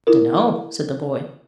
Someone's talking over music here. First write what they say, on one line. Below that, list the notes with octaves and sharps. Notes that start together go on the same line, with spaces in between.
"Dunno," said the boy.
E4 F4 A#4